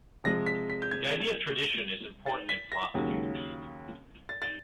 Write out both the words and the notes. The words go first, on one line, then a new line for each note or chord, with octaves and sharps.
The idea of tradition is important in philosophy.
C3 F3 G#3 A#6
B6
B6
G6
G#6
A6
B6
A#6
D#2 C#3 F#3 A#3
A6
A6